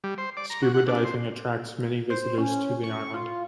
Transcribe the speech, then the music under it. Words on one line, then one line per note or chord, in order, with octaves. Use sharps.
Scuba diving attracts many visitors to the island.
G3
C5
D5
A#5
F#4
F#5
D4
C5
C5
C#4
C#6
F4